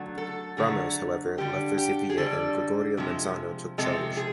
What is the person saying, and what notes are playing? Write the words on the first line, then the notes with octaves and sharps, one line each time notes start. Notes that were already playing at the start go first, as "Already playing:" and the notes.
Ramos, however, left for Sevilla and Gregorio Manzano took charge.
Already playing: D3 F#3 A3
A4
D3 F#3 A3 G#4
D3 G3 G4
G4
G#4
D3 G3 A4
C3 F3 G#3
C3 F3 G#3 A4
G#4